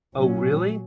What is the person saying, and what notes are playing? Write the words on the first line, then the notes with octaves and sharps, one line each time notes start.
Oh, really?
A#2 F#3 C#4